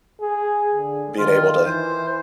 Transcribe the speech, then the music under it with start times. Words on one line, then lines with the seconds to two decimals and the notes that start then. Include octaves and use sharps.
being able to
0.21 G#4
0.74 D3
1.18 D#3 F4
1.66 E3 C5